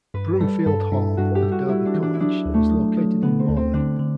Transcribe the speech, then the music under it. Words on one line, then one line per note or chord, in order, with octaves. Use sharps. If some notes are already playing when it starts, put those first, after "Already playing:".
Broomfield Hall of Derby College is located in Morley.
G2 B4
G3 A4
G2 A4
G2 E4
G2 F#4
G4
G3
F#4
G3 E4
D4
E3
D4
E4
F#3 D4
D2
A3
F#3
F#3
D3 B3
C4
D2
C4
D3 D4
D3